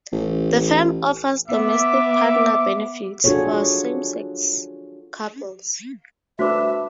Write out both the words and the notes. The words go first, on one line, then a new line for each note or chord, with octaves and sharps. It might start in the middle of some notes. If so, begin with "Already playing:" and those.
The firm offers domestic partner benefits for same-sex couples.
A1
B3 E5 D6
D4 F4 F#4 G#4 A4 C#5
A3 D4 F#4 B4 C5 E5 D6